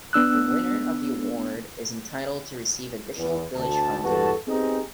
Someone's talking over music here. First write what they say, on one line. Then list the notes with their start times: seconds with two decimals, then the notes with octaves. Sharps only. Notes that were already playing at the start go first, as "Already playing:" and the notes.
The winner of the award is entitled to receive additional village funding.
0.13 B3 D4 E6 F#6
3.17 E2 B4
3.56 D2 A5
4.04 E2 G2 F#4 A4 B4 A5
4.47 B3 C4 D#4 G4 G#4